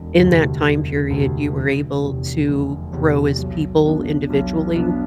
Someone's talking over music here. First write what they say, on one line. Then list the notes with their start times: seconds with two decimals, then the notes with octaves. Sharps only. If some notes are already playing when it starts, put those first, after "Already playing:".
in that time period, you were able to grow as people individually.
Already playing: E1
0.20 D2 C3
0.65 E1
1.11 D2 C3
1.57 F1
2.02 E2 C3
2.48 F1
2.93 E2 C3
3.38 B1
3.84 B2 B3 D4
4.30 B1
4.75 B2 B3 D4